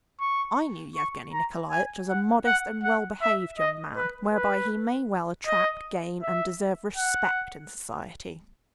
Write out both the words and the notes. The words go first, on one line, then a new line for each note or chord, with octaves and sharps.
I knew Yevgeny Nikolaitch as a modest and well-behaved young man, whereby he may well attract, gain and deserve respect in society.
C#6
C#6
A#5
G#5
F#5
F#5
F#5
E5
D#5
B4
B4
D#5
E5
F#5